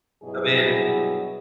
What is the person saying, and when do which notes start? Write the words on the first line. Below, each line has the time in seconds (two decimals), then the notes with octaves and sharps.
I mean,
0.23 G2 B2 F#3 E4 G#4